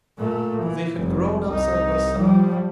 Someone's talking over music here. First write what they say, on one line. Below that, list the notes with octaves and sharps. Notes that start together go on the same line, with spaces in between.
They had grown up side by side.
A#2 A3
E3
F1 G3
C2 D#4
F3 G3